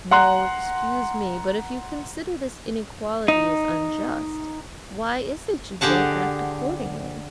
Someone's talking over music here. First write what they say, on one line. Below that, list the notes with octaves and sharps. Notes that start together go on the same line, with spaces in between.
"No, excuse me, but if you consider this inequality is unjust, why is it you don't act accordingly?..."
F#5 A#5 C6 F#6
D#4
D3 G4 G#4 F#5 A5